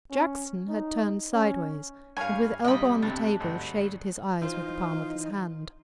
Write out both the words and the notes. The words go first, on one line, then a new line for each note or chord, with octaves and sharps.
Jackson had turned sideways, and with elbow on the table shaded his eyes with the palm of his hand.
C#4
D#4
C#4
G2 C#5 F5 G#5 F6
A#1 C3 G3 D#5 B5
B1 G2 C3 D4
G#1 D2 G2
E3 D#4 F4 C5